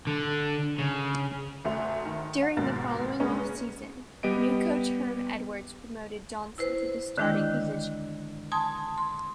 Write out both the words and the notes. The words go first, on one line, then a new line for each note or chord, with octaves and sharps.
During the following off-season, new coach Herm Edwards promoted Johnson to the starting position.
D3
C#3
F1 A3 F#4 C6 F7
D#3
F#5
D#2 G#2 B2 A#3 A6
C#3 G#3 A#3 B3 C#4
G3 B3 G4 D#5 D7
E4 B4 C5
D3 D#3 G#3 D4 E4 G5
G#5 A5 C6 D#6 G#6
C6